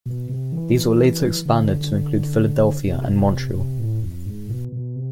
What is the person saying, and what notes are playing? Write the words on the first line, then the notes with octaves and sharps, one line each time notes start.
These were later expanded to include Philadelphia and Montreal.
B2
C3
E3
D3
D3
C3
C3
A2
F2
G#2
B2
B2
C3